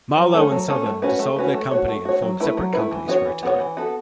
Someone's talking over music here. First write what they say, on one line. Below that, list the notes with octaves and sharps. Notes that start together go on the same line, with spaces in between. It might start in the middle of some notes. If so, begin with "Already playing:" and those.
Marlowe and Sothern dissolved their company and formed separate companies for a time.
F#3
A3 C#4 A4
F#3
A3 C#4 A4
A3
C#4 F#4 B4
A3
C#4 F#4 B4
A3
F#4 C#5
A3
F#4 C#5
F#3
A3 E4 B4
F#3
A3 E4 B4
E3
B3 F#4 A4 C#5
E3
B3 F#4 A4 C#5
E3
B3 F#4 A4